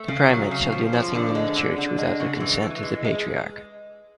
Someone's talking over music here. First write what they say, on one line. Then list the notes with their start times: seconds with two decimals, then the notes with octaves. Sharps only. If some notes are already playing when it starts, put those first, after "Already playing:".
The primate shall do nothing in the church without the consent of the patriarch.
Already playing: A3
0.08 C#3
0.29 F#3
0.51 C#3
0.72 F3
0.93 F3
1.15 D3
1.35 G#3
1.56 D3
1.78 D3
1.98 G#3
2.20 C#3
2.40 E3
2.63 E3
2.83 G#3
3.04 G#3